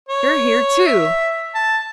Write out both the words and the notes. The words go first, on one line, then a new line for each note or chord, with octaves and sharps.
You're here, too!
C#5
E5
A5